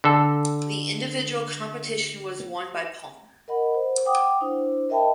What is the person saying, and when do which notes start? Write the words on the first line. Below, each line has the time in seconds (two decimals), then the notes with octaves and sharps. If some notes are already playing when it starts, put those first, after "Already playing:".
The individual competition was won by Palmer.
0.04 D3 A4
3.48 A#4 D#5 F#5 B5
3.75 C5
4.05 F#5 G5 D6 D#6
4.41 D4 E4 C5
4.89 A#4 D#5 E5 G5 A5 B5